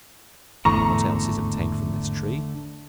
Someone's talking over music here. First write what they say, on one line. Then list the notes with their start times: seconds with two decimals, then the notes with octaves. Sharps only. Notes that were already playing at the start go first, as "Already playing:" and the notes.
What else is obtained from this tree?
0.65 G#1 E2 A2 D3 A3 A#5 C#6